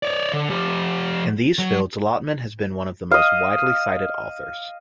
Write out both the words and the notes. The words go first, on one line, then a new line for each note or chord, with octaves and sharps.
In these fields, Lotman has been one of the most widely cited authors.
C#5 D5
D3
F3 G4
F#3
D#5 F5